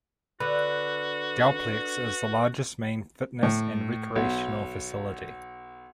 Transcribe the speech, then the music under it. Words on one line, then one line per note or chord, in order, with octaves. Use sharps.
Dalplex is the largest main fitness and recreational facility.
D3 F#4 B4
A2
B1